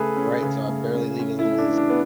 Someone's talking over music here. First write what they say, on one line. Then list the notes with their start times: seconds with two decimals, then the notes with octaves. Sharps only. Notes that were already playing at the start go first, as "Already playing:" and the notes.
Right, so I barely leave as it is.
Already playing: C#3 A3 C#4 G#4 A4 B4
0.17 C#4
0.43 C#3
0.69 A3
0.94 C#4
1.20 C#4
1.39 E4
1.45 A3
1.58 D4
1.71 E3
1.77 D4
1.89 B3